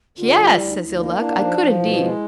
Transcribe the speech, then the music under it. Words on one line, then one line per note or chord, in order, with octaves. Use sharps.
"Yes," says Ill-Luck, "I could indeed."
D3 F4
G3
D2 E4
D#4
D2
E4
A#3 D#4
D4 E4
F3 D#4
F3
D#4
B2 E4
G#3